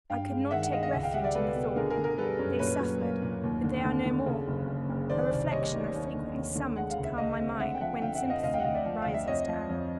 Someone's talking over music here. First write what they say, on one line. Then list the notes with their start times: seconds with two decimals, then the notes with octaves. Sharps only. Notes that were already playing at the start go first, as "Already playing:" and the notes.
I could not take refuge in the thought: they suffered, but they are no more! a reflection I frequently summon to calm my mind when sympathy rises to anguish.
0.10 G2 F5 G5
0.30 G#3
0.51 D#3 E5 F#5
0.62 E5 F#5
0.72 G#3 D#5 F5
0.83 D#5 F5
0.92 C#2 E5 F#5
1.03 F5 G5
1.13 G3 E5 F#5
1.24 D5 E5
1.35 B2 A4 B4
1.56 B2
1.76 D3 G#4 A#4
1.90 G#4 A#4
1.97 D3
2.04 G#4 A#4
2.18 G3 A4 B4
2.39 F#2
2.59 A#2 B4 C#5
2.81 F#3
3.01 A#3
3.22 A#2
3.43 D#2
3.64 D3
3.85 D3
4.06 D3
4.26 C#3
4.48 F#1
4.68 F#1
4.89 F#1
5.10 D#3 C5 D5
5.31 C2
5.51 G3 C#5 D#5
5.73 D#3
5.94 D#2
6.14 D3
6.35 D#2
6.55 D3
6.76 G#3 F#5
6.91 F5
6.98 C#2
7.04 E5
7.17 G#3 D#5 F5
7.40 C4
7.60 D3 E5 F#5
7.75 G5
7.81 F3 E5 F#5
8.02 D3 F5 G5
8.15 E5 F#5
8.22 F2
8.29 D#5 F5
8.43 D2 D#5 F5
8.54 F5 G5
8.60 F#5
8.64 D2 D#5 F5
8.74 D5 E5
8.85 F3
9.02 D2 F5
9.14 E5
9.26 F2 C#5 D#5
9.48 F3
9.69 F2